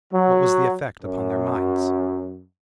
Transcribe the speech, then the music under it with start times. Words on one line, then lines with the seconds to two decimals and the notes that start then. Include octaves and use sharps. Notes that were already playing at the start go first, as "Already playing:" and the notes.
What was the effect upon their minds?
0.13 F#3
1.03 F#2